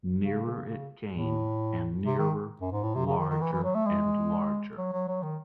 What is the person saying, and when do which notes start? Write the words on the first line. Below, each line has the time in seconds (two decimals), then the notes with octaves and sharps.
Nearer it came and nearer, larger and larger.
0.22 C#3
0.45 C#3
0.68 C#3
1.13 A2
2.05 C3
2.19 D#3
2.61 F#2
2.72 G#2
2.83 A2
2.95 C3
3.06 C#3
3.18 D#3
3.30 D#3
3.41 E3
3.52 E3
3.64 F#3
3.75 A3
3.86 G#3
4.77 F#3
4.92 F#3
5.08 F#3
5.22 D#3